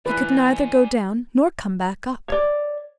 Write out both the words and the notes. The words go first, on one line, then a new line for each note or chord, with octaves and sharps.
He could neither go down nor come back up.
E3 B4 D5 E5 G#5
C#5 D5